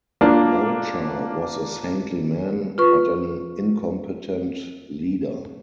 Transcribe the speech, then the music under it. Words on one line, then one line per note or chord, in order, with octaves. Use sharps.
Walcher was a saintly man but an incompetent leader.
A#3 D4 F4
F4 B4 C#6